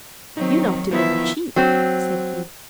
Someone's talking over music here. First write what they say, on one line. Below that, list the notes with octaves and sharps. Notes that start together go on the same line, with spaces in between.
"You knocked him over cheap," said he.
D#3 F#3 C4 D#4
D#3 F3 B3 E4 E5
F#3 C4